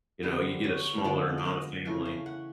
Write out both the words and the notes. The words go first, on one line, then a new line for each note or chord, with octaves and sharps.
you know, you get a smaller amount of family.
D3 G3 B3 C5
C#5
D3 F3 G#3 B3 D5
D5
D#5
C#3 E3 A3
F5
F#5